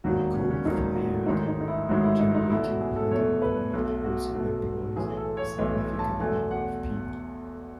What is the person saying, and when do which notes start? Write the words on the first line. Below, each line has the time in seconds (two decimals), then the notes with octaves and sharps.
A coal-fired generating plant in Boardman also employs a significant number of people.
0.04 E1 D#2 D#3 F#3 F#4
0.34 C#4
0.50 C#4
0.65 E1 D#2 D#3 F#3 D#4
0.96 F#4
1.26 A1 G#2 D#3 G#3 D#4
1.48 D#4
1.61 D#4
1.68 E4
1.88 A1 G#2 D#3 G#3 F#4
2.04 E4
2.19 D#4
2.35 D#4
2.50 E2 B2 A3 E4
2.66 F#4
2.81 G#4
2.96 A4
3.11 E2 B2 A3 C#5
3.42 B4
3.73 B1 B2 A3
4.04 F#4
4.35 B1 B2 A3
4.96 B1 A2 E3 G#4
5.17 A4
5.37 C#5
5.58 B1 A2 E3 D#5
5.99 A5
6.20 E2 B2 A3 G#5
6.51 F#5